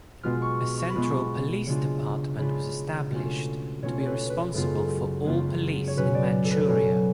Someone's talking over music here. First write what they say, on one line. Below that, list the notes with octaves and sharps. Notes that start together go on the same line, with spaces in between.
A central police department was established to be responsible for all police in Manchuria.
B2 G#3 B3 F4 F6
C#6
C#6
B5
B2 G#3 B3 F4
C#6
C#3 G#3 D4 F4
C#3 G#3 D4 F4 B5
B2 A3 C#4 F4
B2 A3 C#4 F4 C#5
C#5
B4
B4
F#2 C#3 G#3 B3 F4 A4
F#2 C#3 G#3 B3 F4
C#5
B2 F#3 C#4 B4
D5
A4
B4
B2 F#3 C#4